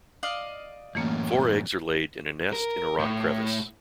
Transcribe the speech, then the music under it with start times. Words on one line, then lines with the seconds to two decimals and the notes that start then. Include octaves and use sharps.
Four eggs are laid in a nest in a rock crevice.
0.23 D5 D#5 F5
0.95 F#2 A2 E3 A3 A#3 C#4
2.53 A#4
2.99 A2